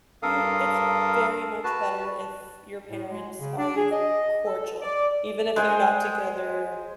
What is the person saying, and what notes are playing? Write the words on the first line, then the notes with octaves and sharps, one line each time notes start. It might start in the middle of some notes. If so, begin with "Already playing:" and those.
you it's very much better if your parents are, like, cordial, even if they're not together,
G2 A4 A#4 F5 D#6
F#4 B4 A5
A2
G#3
C#3
D4
G#4
D#5
A4
D5
G#3 C5 G#5